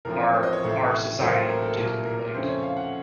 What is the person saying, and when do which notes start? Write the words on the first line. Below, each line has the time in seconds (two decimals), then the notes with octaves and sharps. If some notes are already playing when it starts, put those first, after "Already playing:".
our our society in particular like,
0.05 A1 A2 F3 C4 A#4
0.20 C#5
0.34 C5
0.43 D#5
0.53 C#5
0.63 A1 A2 A3
1.20 A1 A2 F#3 A#3 C5
1.49 A#4
1.62 A4
1.77 C2 A#2 F#3 A#4
2.05 A#4
2.19 A#4
2.34 F2 C#3 A3 C#4 C5
2.49 C#5
2.63 F5
2.77 F#5